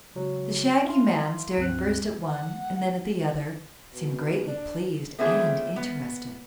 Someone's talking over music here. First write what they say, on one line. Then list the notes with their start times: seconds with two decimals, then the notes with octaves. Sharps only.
The Shaggy Man, staring first at one and then at the other, seemed greatly pleased and interested.
0.15 C#3 F#3 G#3
0.85 E4 F5 C6
1.57 C#2 G2 C4 F#6
2.26 F#5
3.93 B2
4.47 D4
5.19 A3 B3 C4 D4 F4 G#4
5.76 B3